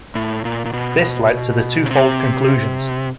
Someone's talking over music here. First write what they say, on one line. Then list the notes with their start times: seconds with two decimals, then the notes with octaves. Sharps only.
This led to the twofold conclusions.
0.15 A2
0.45 A#2
0.65 A#2
0.73 B2
1.86 C#3
1.91 C3